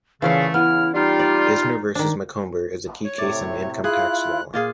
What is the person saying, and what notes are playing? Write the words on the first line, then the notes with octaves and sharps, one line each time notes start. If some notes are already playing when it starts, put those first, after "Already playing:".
"Eisner versus Macomber" is a key case in income tax law.
A#2 C#3 E3 A3 C#4 F4 F5
C#3 B3 E4 F6
G3 D#4 F4
D5
D#3 D4
C#5
A2 C3 A3 D5
E4 F4 G#4 F5 F#6
A#2 F4 G#4